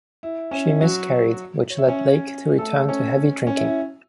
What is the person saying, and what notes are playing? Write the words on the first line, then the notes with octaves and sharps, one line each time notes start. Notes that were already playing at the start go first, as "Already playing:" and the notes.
She miscarried, which led Lake to return to heavy drinking.
E4
C#4
E4
F#3 F#4
C#5
E5
C#4 C#5
A3 A4
C#4 C#5
C#4
E4
E4